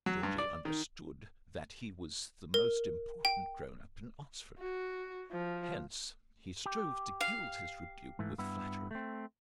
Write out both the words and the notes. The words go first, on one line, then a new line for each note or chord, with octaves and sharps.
Georgie understood that he was the most important grown-up in Oxford; hence he strove to gild his rebuke with flatteries.
F#3
G2
D5
D#3
A#4
G5
F#4
F3
G4
F5
G#2 E3 A3
G2 B3 E4
A3 C4